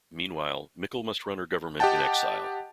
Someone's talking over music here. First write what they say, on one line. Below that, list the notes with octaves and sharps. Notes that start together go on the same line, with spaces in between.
Meanwhile, Mickle must run her government in exile.
G4 D#5 F#5 G5 A5